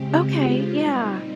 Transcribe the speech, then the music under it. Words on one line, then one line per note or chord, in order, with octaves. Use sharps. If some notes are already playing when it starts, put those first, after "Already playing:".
Okay, yeah.
Already playing: C#3 G#3 C4 G4
F4
A#2 G3 C4 D#4